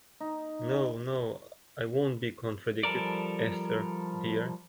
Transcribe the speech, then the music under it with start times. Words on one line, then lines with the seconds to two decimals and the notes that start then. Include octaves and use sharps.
No, no, I won't be contradicted, Esther dear!
0.20 D#4
0.72 D#5
2.83 F3 G3 A4 A#4 D5